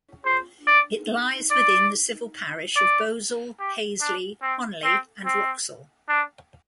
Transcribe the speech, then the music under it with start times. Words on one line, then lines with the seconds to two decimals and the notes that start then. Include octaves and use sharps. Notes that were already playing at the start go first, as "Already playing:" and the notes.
It lies within the civil parish of Beausale, Haseley, Honiley and Wroxall.
0.25 C5
0.67 D5
1.51 D5
2.76 D5
3.59 G4
4.01 D4
4.42 C4
4.84 C4
5.26 C4
6.09 D4